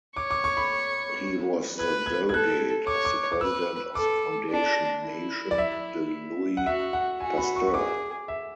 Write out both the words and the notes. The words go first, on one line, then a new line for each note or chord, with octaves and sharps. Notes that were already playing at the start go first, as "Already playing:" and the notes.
He was the delegate of the president of the foundation Maison de Louis Pasteur.
C#5 D6
D6
C#6
B5
B4 G#6
G#6
G#6
A4 F#6
C#5 D6
D6
D6
B4 E6
A4 D6
D4
E4
D5
E5
F#5
F#4 E5
F#5
F#4 G#5
B5
C#6
C#6
G#4 D6
E5